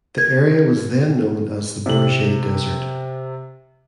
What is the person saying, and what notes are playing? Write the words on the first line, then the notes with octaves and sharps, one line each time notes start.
The area was then known as the Bourget Desert.
G#6
C3 F#7